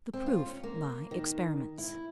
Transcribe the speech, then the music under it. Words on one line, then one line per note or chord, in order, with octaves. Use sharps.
The PROOF by Experiments.
C4
F4
C#4
A#3
D#3
E4